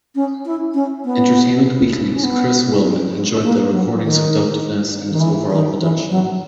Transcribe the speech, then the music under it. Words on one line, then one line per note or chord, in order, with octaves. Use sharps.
"Entertainment Weekly"s Chris Willman enjoyed the recording's seductiveness and its overall production.
C#4
E4
C#4
B3
C#4
B3
A#3
F#3
D#3
D#3
E3
D#3
E3
F#3